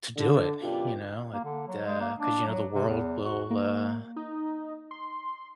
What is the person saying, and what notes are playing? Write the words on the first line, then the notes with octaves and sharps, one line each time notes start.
to do it. You know, it, uh 'cause, you know, the world will, uh
D3
F#2 B2 D4 E4 F4 G4
A#3
D3
F#3
G#3
A#3
D4
F#3
C3
E2
F#4
A#3
D#4
C6